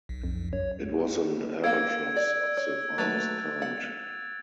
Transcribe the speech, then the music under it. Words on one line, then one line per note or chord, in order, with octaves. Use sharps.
It was an albatross of the finest kind.
B1
F2
F#2 C#5
A#3 F5 F#5 E6 G#6 D7
D5
C#5 E6
F#3 A3 B4 F#6 A6 F7
F#5